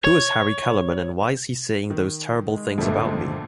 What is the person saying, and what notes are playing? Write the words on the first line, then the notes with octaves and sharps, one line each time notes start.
Who Is Harry Kellerman and Why Is He Saying Those Terrible Things About Me?
C#5
D#3
G#3
G1 F2 A#2 A3